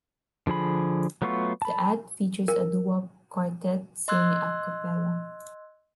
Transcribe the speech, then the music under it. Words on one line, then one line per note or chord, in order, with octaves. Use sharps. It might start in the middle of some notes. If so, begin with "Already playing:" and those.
The ad features a doo-wop quartet singing a cappella.
D3 F3 G#4 B5
F#3 A3 B3 F4 C#6
A5 B5
A#4
D#5 C6 E6 F#6 G#6